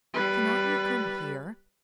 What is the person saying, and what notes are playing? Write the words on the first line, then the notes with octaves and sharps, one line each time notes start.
Cannot you come here?
G3 B4